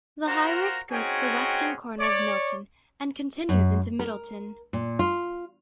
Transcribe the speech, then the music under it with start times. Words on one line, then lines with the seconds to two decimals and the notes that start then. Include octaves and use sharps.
The highway skirts the western corner of Milton and continues into Middleton.
0.27 F4 F#4 A#4 C5 A#5
0.91 C4 C#4 D#4 F#4 G#4 G5
2.00 C#5 D5
3.49 F#2
3.99 A#4
4.73 A#2
4.99 F4